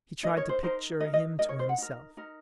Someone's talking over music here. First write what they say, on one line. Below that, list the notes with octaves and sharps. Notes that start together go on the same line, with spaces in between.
He tried to picture him to himself.
D#4 A#4 D#5
C#5
C5
D#4 A#4 C5
D#4 A#4 D#5
D#5
D#4 A#4 D#5
C#5
C5
F#5
D#4 A#4
D#4 A#4